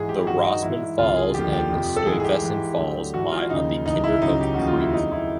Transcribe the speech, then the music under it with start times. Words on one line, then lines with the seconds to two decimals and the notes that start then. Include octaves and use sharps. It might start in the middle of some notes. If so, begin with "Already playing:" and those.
The Rossman Falls and Stuyvesant Falls lie on the Kinderhook Creek.
Already playing: G#2 E3 G#4
0.09 G4
0.27 G2 D#3 F#3 F#4
0.45 D#4
0.62 G#2 E3 E4
0.98 C#2 C3 D#3 F4
1.16 G#4
1.34 D#2 D3 F3 G4
1.52 G4
1.71 F2 C3 F3
1.97 A4
2.06 G#2 E3 G#4
2.20 G#4
2.24 G4
2.42 G#2 E3
2.78 D2 D3 F#3
3.14 G#2 E3 F#4
3.32 F4
3.50 D#2 C#3 F3 D#4
3.86 C#2 C#3 E3 D#4
4.04 E4
4.22 C#2 C#3 F#3 D#4
4.41 G4
4.54 D#2 C#3 F3 F#4
4.67 F4
4.80 E4
4.93 F2 C#3 F#3 D#4
5.12 E4